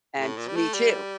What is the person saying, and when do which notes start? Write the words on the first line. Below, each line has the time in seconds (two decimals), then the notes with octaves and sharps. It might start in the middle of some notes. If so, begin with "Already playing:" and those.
and me too!
0.19 A2
0.37 A#2
0.48 G3
0.56 A3
0.74 G3